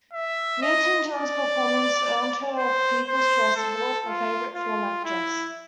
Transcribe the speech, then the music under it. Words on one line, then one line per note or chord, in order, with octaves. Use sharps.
Newton-John's performance earned her a People's Choice Award for Favorite Film Actress.
E5
D#5
D5
C5
C5
A4
F4
F4
E4